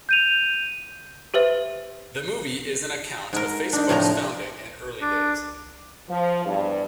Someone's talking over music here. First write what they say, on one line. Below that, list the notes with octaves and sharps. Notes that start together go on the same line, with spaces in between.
The movie is an account of Facebook's founding and early days.
G6 D#7 F7
G4 B4 C5 E5
G#2 A#4
D4 D#4
A2 C3 F3 A#5
D4
F3
E2 G2